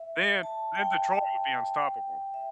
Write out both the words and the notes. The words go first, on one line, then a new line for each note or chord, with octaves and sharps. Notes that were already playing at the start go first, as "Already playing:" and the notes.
then then Detroit would be unstoppable.
Already playing: E5
A5
G5
E5